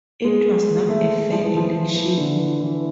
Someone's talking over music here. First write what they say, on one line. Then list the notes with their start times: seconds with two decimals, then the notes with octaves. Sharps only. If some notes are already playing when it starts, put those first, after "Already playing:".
It was not a fair election.
0.24 G#3
0.67 G#3
0.89 A3
1.10 G#3
1.32 F3
1.44 E3
1.57 F3
1.95 E3
2.17 D3
2.38 E3
2.60 E3